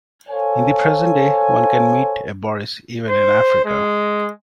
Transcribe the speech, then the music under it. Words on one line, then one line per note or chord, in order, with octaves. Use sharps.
In the present day, one can meet a Boris even in Africa.
A4 C5 C#5 F5 G#5
C5
G#3